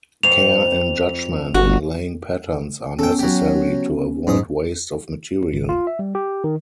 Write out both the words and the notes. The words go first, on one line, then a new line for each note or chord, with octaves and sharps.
Care and judgment in laying patterns are necessary to avoid waste of material.
F2 C4 F7
G1 F#4
B3 C#4 A4 G5
F#3 G4
G#2 F#3 C#4 D#4 D#6
G#1
F4
E5
G3
G4
D#3